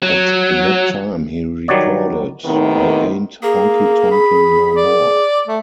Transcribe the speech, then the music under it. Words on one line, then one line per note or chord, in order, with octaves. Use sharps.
At that time he recorded "I Ain't Honky Tonkin' No More".
F#3
D#3 F#3 G3 F#4 C#5 D5
D#2 A2 C3 D#3 B3 D#4
A#3 G#4
B5
D5
A3